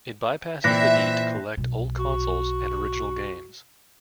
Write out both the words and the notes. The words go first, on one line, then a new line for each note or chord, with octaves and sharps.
It bypasses the need to collect old consoles and original games.
A#2 E3 C4 E5 F#6 A#6
B1
F#4